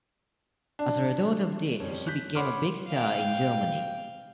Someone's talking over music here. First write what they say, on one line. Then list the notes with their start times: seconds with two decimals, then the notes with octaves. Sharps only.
As a result of this she became a big star in Germany.
0.79 D4
1.80 F2 G3 C#4
2.07 F#6 G6 B6
2.35 C#5 F#5 B5 C6 D6 F6
2.88 F5 G5